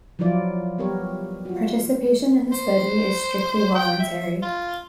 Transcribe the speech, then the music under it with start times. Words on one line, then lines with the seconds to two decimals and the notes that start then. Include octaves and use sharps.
Participation in the study is strictly voluntary.
0.19 F3 F#3 E4 F4 D5
0.78 G3 B3 G4 A#4 C#5
1.45 F4 F#4
2.52 C5
3.75 G5
4.00 E5
4.42 F4